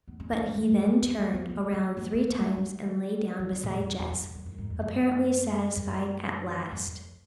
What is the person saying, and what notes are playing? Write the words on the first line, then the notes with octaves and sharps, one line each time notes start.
But he then turned around three times and lay down beside Jess, apparently satisfied at last.
B3
C#4
B3
C#4
G#3
A#3
G#3
B3
C#4
B3
B3
A#3
C#4
B3
A#3
A#3
G#3
F#3
G#3
F#3
F3
G#2
F2
F#2
F2
F#2
F2
F#2
F#2
G#2
F2
F#2
F#2
F#2
F2